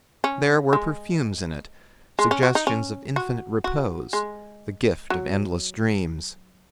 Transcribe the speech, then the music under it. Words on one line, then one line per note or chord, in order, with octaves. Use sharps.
There were perfumes in it, suggestions of infinite repose, the gift of endless dreams.
C#4
G#3
G#3
C#4
F#4
D#4
C#4
F#4
F#4
G#3
F#3